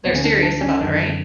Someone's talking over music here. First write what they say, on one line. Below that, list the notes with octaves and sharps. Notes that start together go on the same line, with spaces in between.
They're serious about it, right?
D2 D3 B3
C#4
D4
D4
C#4
F#2 D3 D4